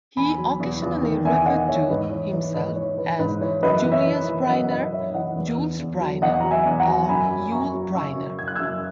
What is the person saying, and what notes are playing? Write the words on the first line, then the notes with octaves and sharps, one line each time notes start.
He occasionally referred to himself as Julius Briner, Jules Bryner or Youl Bryner.
E2 G#5 B5
F#3
E2
E2
D#3
E2 E5 G#5
D#3 D#5 F#5
E2 C#5 E5
G#2 B4 D#5
E3 C#5
E3 C#5
G#2 B4 D#5
E3 C#5
E3 B4
G#2 B4
E3 C#5
F#2 B4 D#5
E3
C#5 E5
E3
E3
F#2 D#5 F#5
F#2 B4 D#5
F#2 C#5 E5
E3 D#5 F#5
E2
E2
E2
F#3
E2 D#5 F#5
F#3 A#5
E5 G#5
E2
F#5 A#5
F#3
F#2 G#5 B5
F#3
F#2 A#5 C#6
F#3
C#3 C#6 E6
F#2
F#2 G#6
F#6
F#2 E6 G#6